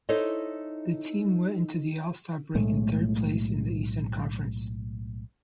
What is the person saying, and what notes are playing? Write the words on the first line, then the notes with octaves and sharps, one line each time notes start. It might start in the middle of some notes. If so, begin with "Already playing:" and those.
The team went into the All-Star break in third place in the Eastern Conference.
D#4 E4 A4 C5 C#5 D#5
B1 A2 G#3 A3